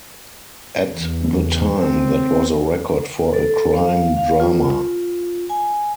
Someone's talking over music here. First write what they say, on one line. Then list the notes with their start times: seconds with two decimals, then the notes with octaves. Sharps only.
At the time that was a record for a crime drama.
0.96 E2
1.77 C4
3.34 A4
3.74 F5
4.17 F5
4.40 F4
5.50 G#5